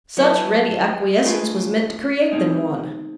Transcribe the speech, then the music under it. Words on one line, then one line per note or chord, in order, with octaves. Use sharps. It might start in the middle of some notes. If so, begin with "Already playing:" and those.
Such ready acquiescence was meant to create them one.
F#3 B3 E4 A4
A3 D4 F4 G#4 B4
B2 G#3 C4 D#4